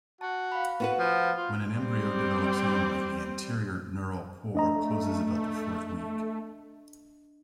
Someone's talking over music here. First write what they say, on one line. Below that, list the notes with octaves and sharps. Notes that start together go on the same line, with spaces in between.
When an embryo develops normally, the anterior neural pore closes about the fourth week.
F#4 A5
F5 B5
B3 F#4 B4
F3
F4
G3 C4
A3 D4 D#5 A#5